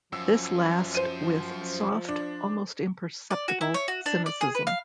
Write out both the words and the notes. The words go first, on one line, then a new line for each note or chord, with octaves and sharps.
This last with soft, almost imperceptible, cynicism.
F#2 F3 E6
C5 D#7
D4
D5
F#4
E4
C#5
F#4
D4
D5
G#4
B4
F5